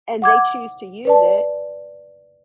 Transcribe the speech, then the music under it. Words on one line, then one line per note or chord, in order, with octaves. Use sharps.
and they choose to use it,
F#5 D6 G#6
B4 D5 A5